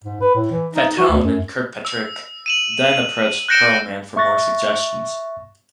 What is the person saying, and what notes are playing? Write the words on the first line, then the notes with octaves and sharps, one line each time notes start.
Fatone and Kirkpatrick then approached Pearlman for more suggestions.
G#2
B4
A2
E3
D#4
F#4
D2
F#2
E6
D#7 E7 F#7
F#6 G6 A#6 C#7 D7 E7
E5 C#6 F#6 A6 A#6